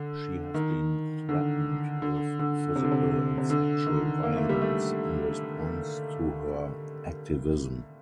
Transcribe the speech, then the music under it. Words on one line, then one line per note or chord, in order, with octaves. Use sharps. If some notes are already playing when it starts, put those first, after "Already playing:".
She has been threatened with physical and sexual violence in response to her activism.
Already playing: D3
D#3
D3
D3
D3
C3
D3
C3
C3
D3
D#3
A#3
A3
G3
A3